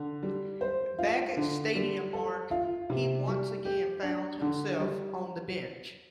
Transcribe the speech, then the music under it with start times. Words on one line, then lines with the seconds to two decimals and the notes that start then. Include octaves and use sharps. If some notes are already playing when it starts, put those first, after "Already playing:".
Back at Stadium mark he once again found himself on the bench.
Already playing: D3
0.23 G3
0.61 C5
0.99 F4
1.37 D3
1.75 G3
2.13 A4
2.51 F4
2.90 C3
3.27 G3
3.65 G4
4.03 D4
4.41 D3
4.79 G3